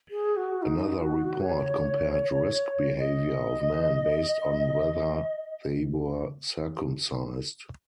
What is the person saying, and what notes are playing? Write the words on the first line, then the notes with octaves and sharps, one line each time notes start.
Another report compared risk behaviour of men based on whether they were circumcised.
G#4
F#4
D#4
F#4
C#5
D#5